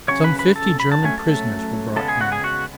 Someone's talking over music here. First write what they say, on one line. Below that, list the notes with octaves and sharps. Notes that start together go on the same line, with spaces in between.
Some fifty German prisoners were brought in.
C#3 F#3 C#4 C#5 C#6
B4 B5
B4 B5
A4 A5
B5
A5
F#3 A3 C#4 G#5
A4 A5
C#3 G#3 B3 A4 A5
G#4 G#5
F#4 F#5
G#4 G#5
F#4 F#5